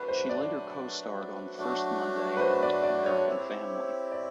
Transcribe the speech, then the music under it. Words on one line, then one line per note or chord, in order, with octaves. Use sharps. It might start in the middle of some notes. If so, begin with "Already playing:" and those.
She later co-starred on "First Monday" and "American Family".
Already playing: F#3 A3 D4 F#4 B4
C5
D5
F#3 A3 D4 F#4
B4
C5
D5
D5
C#5
C4 E4 G4
D5